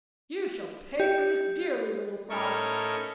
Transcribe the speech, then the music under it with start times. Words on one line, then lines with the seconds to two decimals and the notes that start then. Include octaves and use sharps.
'You shall pay for this dearly, Little Klaus!'
1.00 G4
2.29 A2 C#4 D#4 A4 A#4 C#6